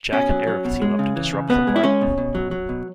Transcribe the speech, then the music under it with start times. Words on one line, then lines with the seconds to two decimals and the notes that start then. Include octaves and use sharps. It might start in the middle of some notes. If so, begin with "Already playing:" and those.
Jack and Eric team up to disrupt the party.
0.13 B2 C#4
0.30 F#3
0.47 F#3
0.65 B2
0.82 G#3
0.99 C#3
1.16 E3
1.33 C#3
1.49 B2 B3
1.67 G#3
1.76 E4
1.84 G#3 C#4
2.01 B2
2.18 B2
2.35 F#3
2.51 F#3
2.69 B2